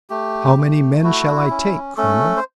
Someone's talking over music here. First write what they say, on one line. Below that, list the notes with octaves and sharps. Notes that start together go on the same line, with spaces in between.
"How many men shall I take, colonel?"
A3 G4
A3
E4 F#4
C#4
A3 C#4 A4
C5